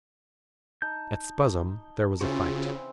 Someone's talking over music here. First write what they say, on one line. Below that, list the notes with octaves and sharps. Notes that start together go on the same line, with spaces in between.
At Spuzzum there was a fight.
D#4 A5 G6
C#3 E3 C4 F4 F#4 C5